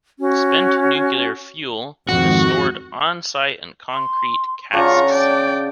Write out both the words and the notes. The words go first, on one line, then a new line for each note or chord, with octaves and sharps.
Spent nuclear fuel is stored on-site in concrete casks.
C#4 F#4
F2 G#2 D#3 F#4
C6
C#3 D4 F4 F#4 A#5 C#6
D5 G5 A5